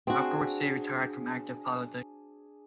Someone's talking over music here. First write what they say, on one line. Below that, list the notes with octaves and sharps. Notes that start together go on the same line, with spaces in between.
Afterwards, he retired from active politics.
C4 D4 F#4 G#4